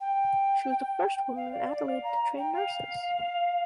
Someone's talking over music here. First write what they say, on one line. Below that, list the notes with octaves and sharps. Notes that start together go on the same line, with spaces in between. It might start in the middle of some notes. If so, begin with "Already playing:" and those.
She was the first woman in Adelaide to train nurses.
G5
F5
D5
D5
F5
A#5
G5
F5